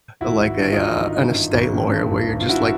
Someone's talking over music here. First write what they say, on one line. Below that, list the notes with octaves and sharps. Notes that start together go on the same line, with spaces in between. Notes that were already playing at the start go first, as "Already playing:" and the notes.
like a, uh, an estate lawyer where you're just
G#1 E4 F#4
G#1
D3
D#4 F4
G#1
G#1
G2
G2
G#1
G2
G2
G#1
G#1
F4
G2 E4 F#4